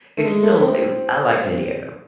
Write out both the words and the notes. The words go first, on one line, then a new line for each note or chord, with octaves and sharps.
it's still u I like San Diego.
A3
G#3
A3
C4